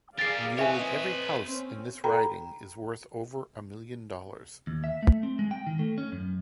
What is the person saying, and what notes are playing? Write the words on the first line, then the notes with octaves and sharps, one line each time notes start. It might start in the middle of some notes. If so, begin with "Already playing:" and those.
Nearly every house in this riding is worth over a million dollars.
G4 G#4 A#4 D5 F5 A6 C7
C4 B4 C#5 D#5 E5 G#5
C4 C#4
A4 G5 A#5 B5
D#2
E5
A3
C4
G#3
G5
D#3
A3
C#4
F#2